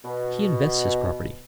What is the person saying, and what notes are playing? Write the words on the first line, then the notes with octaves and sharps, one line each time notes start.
He invests his property.
B2